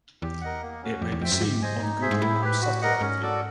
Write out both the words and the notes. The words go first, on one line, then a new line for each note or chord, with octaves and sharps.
It may be seen on Google maps satellite view.
E2 G4
A#4 D#5 F#5
A#3
C#4 F#4
F2 G4
E2
F2 C5 E5 G5
F#2
G#2 G4
C5 D#5 G#5
D#4
G#4 C5 E5
G#2
A2 E4
G4 B4
F#4
A#4 D#5 F#5
G#2 C#4
F#4 A4 D5